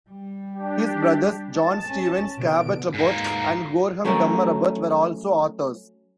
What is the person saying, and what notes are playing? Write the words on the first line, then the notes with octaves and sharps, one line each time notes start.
His brothers, John Stevens Cabot Abbott and Gorham Dummer Abbott, were also authors.
G3
D4 G4
G#3 A5
C#4
B2 D3 D7
G#2 A#3
F#3 A3 C#4 A#4